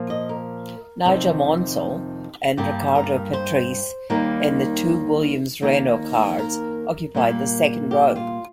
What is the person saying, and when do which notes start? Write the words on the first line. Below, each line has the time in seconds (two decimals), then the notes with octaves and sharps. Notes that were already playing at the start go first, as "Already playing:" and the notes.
Nigel Mansell and Riccardo Patrese, in the two Williams-Renault cars, occupied the second row.
Already playing: A#2 F3 A#3
0.10 D#5
0.29 A#4
1.05 F2 C3 D#3
2.57 G2 G3 A#3 G4
2.95 A#4
3.33 C5
4.10 D#2 D#3 G3 A#3 A#4
5.62 D#2 D#3 A#3
6.39 A#4
7.15 A#2 G3 A#3
7.91 G4
8.16 F4